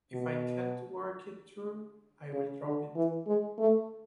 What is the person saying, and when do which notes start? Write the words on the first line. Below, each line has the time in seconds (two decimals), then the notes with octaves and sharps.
If I can't work it through, I will drop it.
0.13 B2
2.33 C#3
2.64 D3
2.96 E3
3.27 G#3
3.59 A3